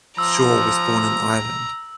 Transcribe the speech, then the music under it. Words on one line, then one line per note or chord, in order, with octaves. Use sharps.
Shaw was born in Ireland.
F3 A#5 E6